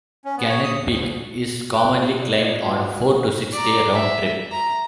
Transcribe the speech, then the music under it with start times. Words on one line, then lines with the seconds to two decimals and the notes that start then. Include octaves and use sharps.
Gannett Peak is commonly climbed on a four- to six-day round-trip.
0.25 C#4
0.37 B3
0.49 C#5
0.64 D#6
0.78 E2
0.95 D2
1.75 F4 C5 A#5 D#6 F#6 D7
2.22 D5
2.39 F4 D#5 G#6
2.65 F#4 A4 B4 F#5 G5
3.53 D5 A#5
3.92 E5
4.51 A#5